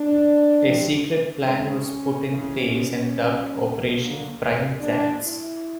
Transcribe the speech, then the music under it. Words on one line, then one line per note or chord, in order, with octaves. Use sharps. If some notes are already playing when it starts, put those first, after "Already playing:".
A secret plan was put in place and dubbed Operation Prime Chance.
Already playing: D4
A1 G#2 F3 A3 C4
G#2 D#3 G#3 C4 C#4
F#1 E2 C#3 E3
B1 A#2 G3
D2 D3 F#3 A#3
G2 E3 G3 A#3 D4
E4